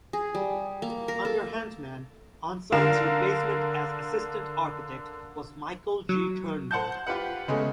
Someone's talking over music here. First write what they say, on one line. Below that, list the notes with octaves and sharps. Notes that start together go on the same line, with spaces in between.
Under Hantman, Ensign's replacement as Assistant Architect was Michael G. Turnbull.
G#4
G3
A#3
A#4
A4
D3 A#4 F5 E7
F#3
C5 F#5 A5 G6
F4 G4 B4 F#5
C#3 G#3 A3 B3 C#4